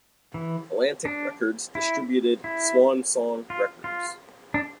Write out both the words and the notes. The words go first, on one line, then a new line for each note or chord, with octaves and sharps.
Atlantic Records distributed Swan Song Records.
E3
D4
E4
E4
F4
F4
D4